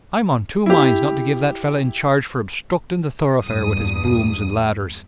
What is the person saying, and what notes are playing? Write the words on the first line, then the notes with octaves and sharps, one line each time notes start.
I'm on two minds not to give that fellow in charge for obstructing the thoroughfare with his brooms and ladders.
E4 G4
E2 G2 A#2 D#6